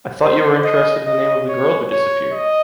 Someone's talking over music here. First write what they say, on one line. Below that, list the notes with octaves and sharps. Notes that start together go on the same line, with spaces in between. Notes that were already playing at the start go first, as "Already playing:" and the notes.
I thought you were interested in the name of the girl who disappeared.
C5
D#5
D#5
C#5
C#5
D#5